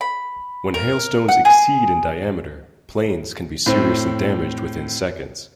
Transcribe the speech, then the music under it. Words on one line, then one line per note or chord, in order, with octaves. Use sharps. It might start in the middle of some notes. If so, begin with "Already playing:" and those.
When hailstones exceed in diameter, planes can be seriously damaged within seconds.
B5
A#4
F#5
G#4
A2 C4